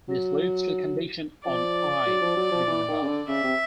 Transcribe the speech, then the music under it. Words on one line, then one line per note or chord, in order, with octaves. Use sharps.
This leads to the condition on "l" given above.
F#3
F3 D5
F#3
F3
F#3
F3
E3
D#3
C#3
D3
C#3 E5
C3